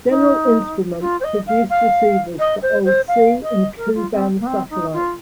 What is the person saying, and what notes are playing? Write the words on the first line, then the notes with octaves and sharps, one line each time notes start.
General Instrument produced receivers for old C and Ku band satellites.
D#4
F4
C5
D#5
F5
F5
D#5
C5
C5
F5
D#5
A#4
F4
C4
A#3
C4
D#4
F4